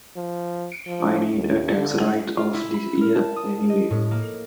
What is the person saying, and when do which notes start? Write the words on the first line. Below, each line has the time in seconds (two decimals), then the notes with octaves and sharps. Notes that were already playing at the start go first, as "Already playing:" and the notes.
I need a tax write-off this year anyway.
0.16 F3
0.87 F3
1.35 D#2
1.77 D3
2.37 F4
2.54 E4
2.74 B5
3.01 A#4
3.15 A5
3.36 D#6
3.70 D#5
3.90 A2
4.11 A#3